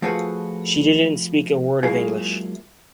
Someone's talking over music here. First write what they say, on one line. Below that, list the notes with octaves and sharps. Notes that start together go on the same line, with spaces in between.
She didn't speak a word of English.
F3 A3 F4 F#4 G#4 B4
F#3 G#3 A#3 E4 F4 G#4